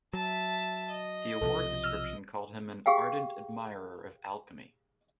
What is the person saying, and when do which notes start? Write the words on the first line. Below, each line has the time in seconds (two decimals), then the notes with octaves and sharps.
The award description called him an ardent admirer of alchemy.
0.13 F#3 E5 A5
0.90 D#5
1.41 B1 C3 F3 A4
1.84 E6 F6
2.86 G4 G#4 F5 G5